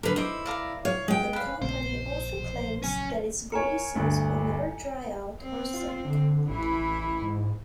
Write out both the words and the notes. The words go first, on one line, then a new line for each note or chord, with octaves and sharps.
The company also claims that its greases will never dry out or set.
D3 A#4 B4
D#4 E4 C5 D6
D5 F5 A#5
C#5 F5
G#3 G5
B4 F5
A#1 C#3 A3 C4 C5
B2 E3 F3
C#3 F#3 C#4 G#5
A#4 C#5 G#5 A#5 C#7
D2 G2 D3
C4
F4
D3
A1 E3 E4
G#2